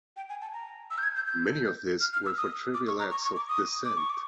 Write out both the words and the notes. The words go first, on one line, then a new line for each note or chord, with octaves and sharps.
Many of these were for trivial acts of dissent.
G5
G#5
A5
A#5
E6
G6
G#6
G6
G6
F6
F6
E6
D#6
D6
C#6
A#5
C#6
C#6
D6
D#6
D6
C#6
D6